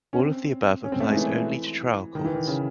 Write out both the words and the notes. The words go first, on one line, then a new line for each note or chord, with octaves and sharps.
All of the above applies only to trial courts.
C#4
C4
C#4
C4
A3
G#3
E3
D#3
E3
D#3
C#3